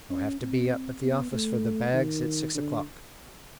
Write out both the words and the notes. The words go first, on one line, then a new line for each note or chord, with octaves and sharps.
"I'll have to be up at the office for the bags at six o'clock."
C#4
C4
B3
A3
D#3
D3